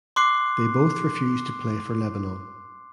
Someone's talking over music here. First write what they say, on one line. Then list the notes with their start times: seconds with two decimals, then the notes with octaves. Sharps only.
They both refused to play for Lebanon.
0.16 C6 D6 F#6 C7